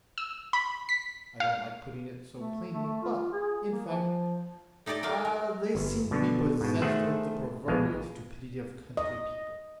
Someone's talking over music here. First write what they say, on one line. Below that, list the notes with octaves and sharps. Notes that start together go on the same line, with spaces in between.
I don't like putting it so plainly, but, in fact, ah, they seem to be possessed with the proverbial stupidity of country people.
E6
B5
B6
F5
A3
A3
A3
F4
G#4
A#3
F3
A3 D#4 G4 D5 D#5
A3 A#4 D5 F5
A#4
G1
B2 D3
G#2 B2
D#3 A3 G#4 C5 E5 F#5
A#1 B2 G#3 F5
D#5